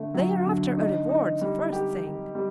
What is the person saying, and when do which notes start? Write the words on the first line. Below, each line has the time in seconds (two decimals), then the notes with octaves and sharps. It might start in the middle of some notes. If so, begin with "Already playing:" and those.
"They are after a reward the first thing."
Already playing: D3 A3
0.14 F#3
0.46 D3
0.77 D#4
1.09 D#4
1.41 G3
1.73 G4
2.03 G4
2.35 G3